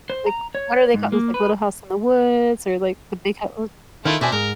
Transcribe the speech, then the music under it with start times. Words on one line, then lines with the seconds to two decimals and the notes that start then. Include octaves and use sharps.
Like, what are they called there's, like, Little House in the Woods or, like, The Big Hou
0.10 C5
0.26 A#5
0.55 C#5
0.94 G#2
1.12 A#3
1.34 B4
4.05 D#3 A3 E4 F4
4.21 B2 C4 D4 E5 G#5
4.32 G#2 A#4